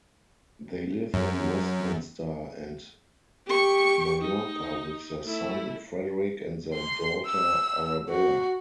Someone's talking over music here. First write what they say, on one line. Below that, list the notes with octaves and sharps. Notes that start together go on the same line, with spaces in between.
They live in Westminster and Mallorca with their son, Frederick and their daughter, Arabella.
F#2
G4 C#6
D#4
A3 E4
C6
E6
F#4